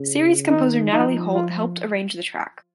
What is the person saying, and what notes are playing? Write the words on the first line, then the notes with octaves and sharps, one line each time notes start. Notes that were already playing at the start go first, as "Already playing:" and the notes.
Series composer Natalie Holt helped arrange the track.
Already playing: C#3
D#3 D#4
F3 D#4
F4